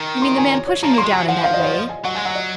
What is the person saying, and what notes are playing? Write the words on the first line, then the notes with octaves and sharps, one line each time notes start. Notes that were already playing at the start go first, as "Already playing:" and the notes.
"You mean the man pushing you down in that way?"
Already playing: D#3
C6
G#5
C#5
C#5
F3 A#5
A#3
C6
G#3
F#3 G#5
F3 F#5
F5
D#5
C5
C#5
D#5
G#5
F#3 F#5
G#3 G#5
F#3 F#5
D#5